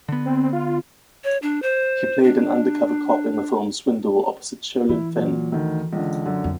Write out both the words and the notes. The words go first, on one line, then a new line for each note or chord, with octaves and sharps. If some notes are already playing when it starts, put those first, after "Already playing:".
He played an undercover cop in the film "Swindle" opposite Sherilyn Fenn.
D3 B3
C4
F4
C#5
D4
C5
D4
E3 E4
A#2 F#3
D2 D#3
C#2 D3
F#2 D3
F2